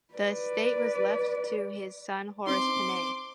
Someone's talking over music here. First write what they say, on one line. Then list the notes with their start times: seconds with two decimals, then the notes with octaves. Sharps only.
The estate was left to his son, Horace Pinhey.
0.14 B4 D5
2.46 C4 D#4 C6 D6